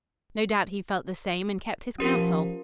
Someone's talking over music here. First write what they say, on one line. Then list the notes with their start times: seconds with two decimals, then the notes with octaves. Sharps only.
No doubt he felt the same and kept his counsel.
1.98 F3 C#4 G4 A#4